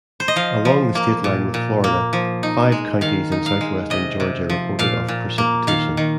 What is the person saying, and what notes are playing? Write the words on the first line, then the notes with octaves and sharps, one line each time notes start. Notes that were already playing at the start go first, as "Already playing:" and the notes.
Along the state line with Florida, five counties in southwestern Georgia reported of precipitation.
C5
D#5
F3 F5
F3
A#3
A#2
A#2
A#3
F3
D#4
G#3
D#3 F5
D#4
F5
G#3
C3 D#5
C3
F3
A#2 F5
A#2
A#3
D#3 F5
D#3